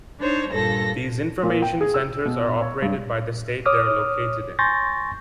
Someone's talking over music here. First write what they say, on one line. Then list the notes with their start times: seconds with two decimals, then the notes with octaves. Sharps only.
These information centers are operated by the state they are located in.
0.19 D4 D#4 C5 C#5
0.51 G2 A#2 A4 A#6
1.43 A#2
1.62 G5
1.81 G#4
1.94 E6
2.25 B2
2.62 C#5
2.82 G2
3.66 C#5 D6 D#6 F6
4.59 G#5 C6 C#6 G6 A6 A#6